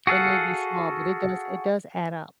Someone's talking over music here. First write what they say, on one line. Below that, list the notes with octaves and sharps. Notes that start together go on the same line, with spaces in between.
It may be small, but it does it does add up.
F#4 G#4 A4 F5 F#5